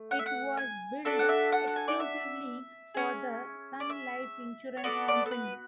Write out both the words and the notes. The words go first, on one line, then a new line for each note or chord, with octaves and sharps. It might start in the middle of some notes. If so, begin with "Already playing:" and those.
It was built exclusively for the Sun Life Insurance Company.
Already playing: A3
F#5
E5
F#5
G#5
D4 F#4 A4 E5
F#5
E5
F#5
F#5
G#5
D5
E5
C#4 G#4
D5
E5
C#5
B3 F#4 A4 D5
D5
A4
B4